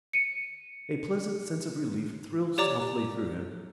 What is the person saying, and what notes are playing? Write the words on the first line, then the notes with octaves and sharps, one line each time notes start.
A pleasant sense of relief thrilled softly through him.
C#7 D#7
G4 C#5 D5 A#5 D6